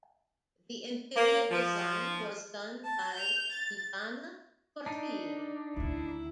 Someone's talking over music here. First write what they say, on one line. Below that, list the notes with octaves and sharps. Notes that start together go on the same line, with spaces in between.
The interior design was done by Ivana Porfiri.
A#3
F3
A5
G6 F7
A6
D4 D#4
D2 D#3 E4